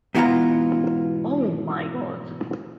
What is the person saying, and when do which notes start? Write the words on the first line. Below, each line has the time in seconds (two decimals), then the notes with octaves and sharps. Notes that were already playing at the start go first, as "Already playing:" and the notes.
Oh, my God!
0.15 G#2 B2 E3 B3 F4 A#5